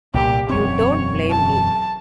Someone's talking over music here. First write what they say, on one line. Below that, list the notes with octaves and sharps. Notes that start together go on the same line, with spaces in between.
You don't blame me?
C2 A#2 G4
E1 F#2 C4 C#5
A5